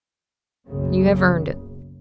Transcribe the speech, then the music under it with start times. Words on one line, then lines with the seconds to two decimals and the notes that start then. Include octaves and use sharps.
You have earned it.
0.68 F#1 B1 F#2 C#3